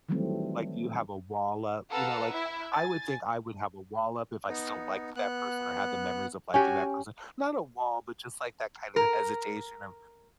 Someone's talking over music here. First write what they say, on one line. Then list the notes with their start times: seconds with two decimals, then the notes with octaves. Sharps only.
Like, do you have a wall up? You know, like, I would think I would have a wall up if I still liked that person or had the memories of liking that person, not a wall, but just like that kind of hesitation of
0.09 D#3 E3 F#3 G3 A3 C4
1.90 A4 B4 F5 F#5 A#5 E6
2.29 E4 E5
2.73 G#5 A6
4.49 B3 D#4
5.16 B3 F#6
6.54 C#4 F#4 G4 G#5
8.96 A#4